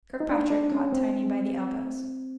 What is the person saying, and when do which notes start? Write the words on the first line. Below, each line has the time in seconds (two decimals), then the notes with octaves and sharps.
Kirkpatrick caught Tiny by the elbows.
0.20 D#4
0.30 D4
0.50 D4
0.72 C#4
0.92 C4